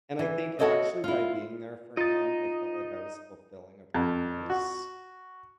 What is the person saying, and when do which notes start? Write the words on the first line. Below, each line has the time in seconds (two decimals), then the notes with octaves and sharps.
And I think, actually, by being there for him, I felt like I was fulfilling a promise,
0.19 E3 B4
0.59 F#4 G4 A4 C#5 D#5 E5
1.04 E4 F4
1.97 D#4 F4 D#5 A6
3.94 F2
4.50 F#4